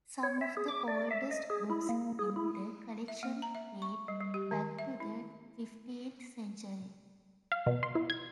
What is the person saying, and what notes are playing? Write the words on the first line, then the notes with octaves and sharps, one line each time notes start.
Some of the oldest books in the collection date back to the fifteenth century.
C#5
E5
G#4
D6
D5
E5
D#5
G#4
E4
A#3
G#4
E4
E5
A#3
A#5
E5
C#6
G3
G3
G4
D#3
E5
E4
F5
B2
C6
E4
G#6